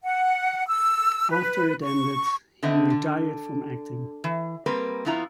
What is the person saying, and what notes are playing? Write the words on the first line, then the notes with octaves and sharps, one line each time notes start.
After it ended he retired from acting.
F#5
E6
B4
C#6
D3 B3 C4 D#5 E5
D3
E3
G3 A#3 C4 A#4 B4
F2 B3 E4 F4 A#5